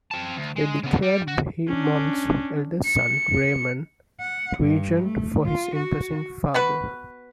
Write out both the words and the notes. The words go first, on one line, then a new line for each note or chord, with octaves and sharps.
They declared Bohemond's eldest son, Raymond, regent for his imprisoned father.
C4 A5
D2
G#3
C#3 B3
G3
F#4
C#4 D4
C#7
F#5
G2
A3
F4
F#4
B3 F#4 B4